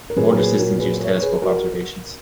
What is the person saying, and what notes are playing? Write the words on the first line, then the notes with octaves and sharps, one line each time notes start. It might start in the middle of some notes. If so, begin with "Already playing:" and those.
Older systems use telescope observations.
A#4
A#2 F#3 A#3 G#4 B4
G#4 B4
F#4 A#4
G#4 B4
A#4 C#5
C#5
G#4 B4
F#4 A#4